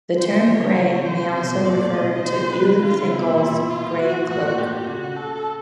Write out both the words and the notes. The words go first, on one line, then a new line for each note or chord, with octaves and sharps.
The term "grey" may also refer to Elu Thingol's grey cloak.
E3 C5
F3
E3 C#5
D3
C#3
C3
C5
C3
B2 C5
A2
A#2 D5
A#2
B2 D#5
D#3
E3 C5
D#3
D3 B4
D#3
C#3 F4
C#3
C3
B2 E4
A#2
A#2
F4
F#4
A2 F#4
A#2
A2 G4
A#2
C#3 F#4
A4